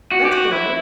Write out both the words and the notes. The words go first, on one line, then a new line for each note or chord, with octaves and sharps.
That's cool.
F#4
G4
F#4
E4